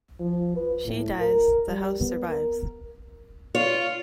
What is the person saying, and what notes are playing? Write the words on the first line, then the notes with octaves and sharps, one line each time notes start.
She dies, the house survives.
F3
B4
A2
A#4
G3
B3
A#4
F4 C#5